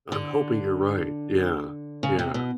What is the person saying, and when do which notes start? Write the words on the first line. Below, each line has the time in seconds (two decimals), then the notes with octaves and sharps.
I'm hoping you're right, yeah. Yeah,
0.12 D3
2.03 C#3
2.19 C3
2.34 B2